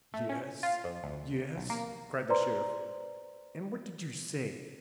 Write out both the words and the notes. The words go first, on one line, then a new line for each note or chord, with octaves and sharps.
"Yes, yes," cried the Sheriff, "and what did you say."
A3
C#4
F4
F2
D2
B1
A#3
B4 C5 D5 A#5 C6